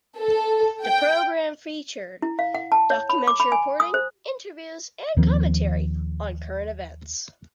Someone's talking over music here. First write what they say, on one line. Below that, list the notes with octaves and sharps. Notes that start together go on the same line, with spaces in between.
The program featured documentary reporting, interviews and commentary on current events.
A4
G5
E4
F5
F#5
A5
C#5
B5
D6
B5
G#5
D#6
C5
D#2 D#3 F3 C4